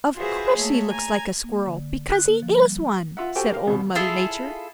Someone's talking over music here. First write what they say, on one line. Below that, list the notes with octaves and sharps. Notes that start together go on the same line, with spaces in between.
"Of course he looks like a Squirrel, because he is one," said Old Mother Nature.
F4 F#4 G#4 B4 C5 E5
A3 A#3 C#5 E5 A5
G#5 A#5 G#6
A#3
D3
F#6
A#3
F3
G3
F4 E5 F#5
F#4 G4 A4 C5 G5 G#5
A#4 F5
G#1 B2
E4 F4 G#4 A4